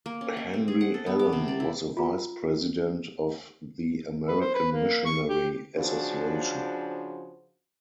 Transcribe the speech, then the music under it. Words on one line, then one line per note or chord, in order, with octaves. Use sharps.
Henry Allon was a vice-president of the American Missionary Association.
A#3
C#4
A#3
C4
G#4
F#5
A4
B3
D6
C3
D5
E4
F4 A#5
B4
C5
B4
A#3
C#6
G4
C#3 F3 D4 F#4 C5